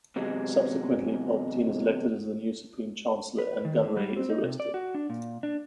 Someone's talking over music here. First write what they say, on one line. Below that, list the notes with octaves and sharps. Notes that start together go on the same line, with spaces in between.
Subsequently, Palpatine is elected as the new Supreme Chancellor, and Gunray is arrested.
E2 C3 F#3 G#3
B4
D#3
A2
G3
C4
D#4
C3
D5
F#4
D4
A#2
D4